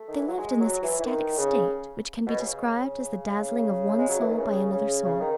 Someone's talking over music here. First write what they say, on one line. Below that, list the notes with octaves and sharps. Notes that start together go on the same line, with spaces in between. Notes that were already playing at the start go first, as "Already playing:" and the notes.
They lived in this ecstatic state which can be described as the dazzling of one soul by another soul.
Already playing: A3
D#3
E3
F#3
G#3
F#3
E3
E3
D#3
C#3
B2
C#3
G#3
F#3
E3
D#3
C#3
C#3
C#3
D#3